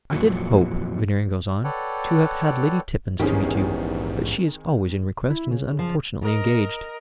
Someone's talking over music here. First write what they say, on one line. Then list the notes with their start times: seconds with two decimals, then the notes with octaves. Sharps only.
'I did hope,' Veneering goes on, 'to have had Lady Tippins to meet you; but she is always in request, and is unfortunately engaged.'
0.12 F2 A#2 E3 F#3
1.64 A4 B4 C#5 D5 F#5 G5
3.20 A#1 E2 G#2 D#3 C4 C#4 G4 G#4
5.30 E4
5.51 C#3
5.79 F3
6.22 A#4 D#5